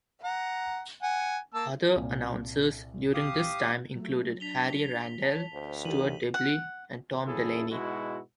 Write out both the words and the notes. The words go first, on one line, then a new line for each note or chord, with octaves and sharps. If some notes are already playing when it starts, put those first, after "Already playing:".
Other announcers during this time included Harry Randall, Stuart Dibbley and Tom Delaney.
F#5 A#5
F#5 G#5
A#3 A5 E6
C2 A#2
G4 F5 D#6
F#3 A3
D4 B6 F7 G7
C#5 A5
D2 C5
E3 D#4 G4 A#4 D#7 F#7
F#5
A1 E2 C#3 E4 G#4 A4
G#2 B2 G#3 E4 F#4